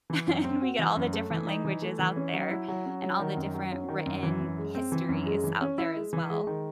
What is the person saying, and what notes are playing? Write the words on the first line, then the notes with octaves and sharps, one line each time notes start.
And we get all the different languages out there and all the different written histories out there, as well.
E3
F#2
C4
F#4
E3
F#2
A3
E3
D#4
E3
A3
E3
C#4
F#3
E4
F#3
C#4
F#3
D#3
F#2
F#3
C#4
D#3
F#2
E3
F#2
G#3
C4
E3
F#2
G#3
E3
C#4
E4
G#3
E3
G#3
D#3